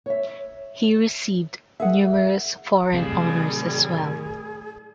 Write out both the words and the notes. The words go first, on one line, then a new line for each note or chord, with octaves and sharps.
He received numerous foreign honours as well.
C#5 E5
G#4 A#4 E5 F#5
A2 C3 D#3 F#3 G3 C4 G#4 F5